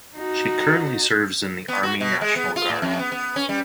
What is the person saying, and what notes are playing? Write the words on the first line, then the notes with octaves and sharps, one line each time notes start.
She currently serves in the Army National Guard.
D#4 F#4
B3
F#4
B2
G#3
B3
F4
A2
F2
B3
B3
C#4
G3